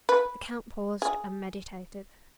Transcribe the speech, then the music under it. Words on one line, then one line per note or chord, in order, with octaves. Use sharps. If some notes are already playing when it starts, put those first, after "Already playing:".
The count paused and meditated.
B4
G#4